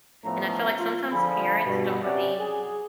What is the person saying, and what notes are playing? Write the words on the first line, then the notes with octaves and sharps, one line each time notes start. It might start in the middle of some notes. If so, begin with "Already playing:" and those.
And I feel like sometimes parents don't really
A2 F3 A3 B3 C#4 A#5
F4
D3 F3 G#4 B5
G2 B2
C3 C#4 F#4 G4 D5 F#5
G#4